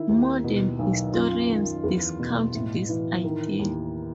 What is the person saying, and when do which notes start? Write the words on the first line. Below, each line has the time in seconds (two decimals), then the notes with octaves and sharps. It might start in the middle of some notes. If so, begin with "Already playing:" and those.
Modern historians discount this idea.
Already playing: D#3 E4
0.09 D#2
0.44 B2
0.79 B1
1.14 F#2 F4
1.49 D#3
1.84 E2
2.19 B2
2.55 A2
2.89 E3
3.24 D#3
3.59 D#2